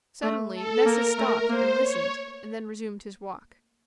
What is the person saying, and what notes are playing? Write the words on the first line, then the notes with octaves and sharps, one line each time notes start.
Suddenly Nessus stopped and listened, and then resumed his walk.
A3
A4
A#3 A#4
A3
A#3 C5
C#5